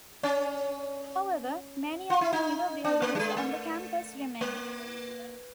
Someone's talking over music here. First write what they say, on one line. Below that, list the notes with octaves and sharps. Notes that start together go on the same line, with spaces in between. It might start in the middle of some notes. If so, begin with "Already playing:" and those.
However, many of the newer buildings on the campus remain.
C#4
F4
E4
D#4
D4
A#3
G3
G#3
A3
A#3